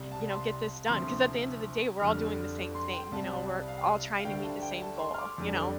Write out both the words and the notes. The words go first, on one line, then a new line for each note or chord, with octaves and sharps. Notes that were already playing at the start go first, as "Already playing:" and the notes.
you know, get this done 'cause at the end of the day we're all doing the same thing, you know, we're all trying to meet the same goal, you know?"
Already playing: C2 C3 G3
A5
C6
D2 C3 F3 C6
F2 D3 G3 F6
C6
G5
C2 C3 G3 A5
F5
F5
D2 D3 G3 G5
A5
G5
A5
C6
F6
D6
F2 D3 G3